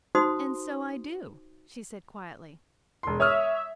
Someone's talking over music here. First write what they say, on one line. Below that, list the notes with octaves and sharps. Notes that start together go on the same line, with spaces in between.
"And so I do," she said, quietly.
D#4 F#4 C5 C6 D#6
E1 C6
C#5 E5 D#6 F6